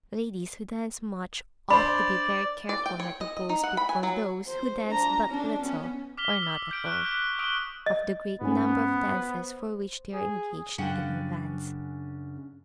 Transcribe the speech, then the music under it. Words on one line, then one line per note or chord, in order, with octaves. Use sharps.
Ladies who dance much, ought to be very careful not to boast before those who dance but little or not at all, of the great number of dances for which they are engaged in advance.
D4 C5 D5 B5
D5
G5
C#5
D#5
D#5
D#4
F#5
B5
G#5
F#3
C5
D4 A#5
C#4 D4
B3 C#4
D6 F6 B6 F7 G7
E6
E6 G6 D7
C#6 F6 F#6 B6
D6 G6 B6
C#6 D#6 E6 D7 F7 G7
D#5
G#2 B3 C#4
C5
G#4
F#2 C#3 C#4 D4 F#5 G5